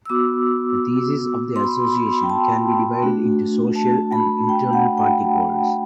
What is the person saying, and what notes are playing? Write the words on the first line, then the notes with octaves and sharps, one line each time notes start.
The theses of the association can be divided into social and internal party goals.
E6
B3 F#4 D6
C6
B5
C6
B5
G5
A5
A3 D4 F#4
A5
B5
G5
F#5
G5